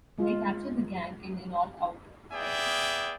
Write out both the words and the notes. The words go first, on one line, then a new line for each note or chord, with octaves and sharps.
They capture the gang in an all-out fight.
G#3 F4
B3 G#4 D5 E5 G5 G#5